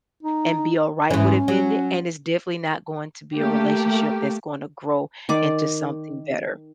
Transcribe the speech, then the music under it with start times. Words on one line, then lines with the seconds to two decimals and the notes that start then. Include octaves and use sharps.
and be alright with admitting it, and it's definitely not going to be a relationship that's going to grow into something better.
0.23 D#4
1.10 G#2 E3 C#4
1.48 F#3
3.35 A3 A#3 G4
5.29 D#3 D5 D6